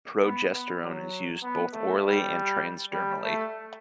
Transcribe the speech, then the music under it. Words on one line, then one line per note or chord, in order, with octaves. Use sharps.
Progesterone is used both orally and transdermally.
B3
B3
F#3
B3
A3
G3
G3
A3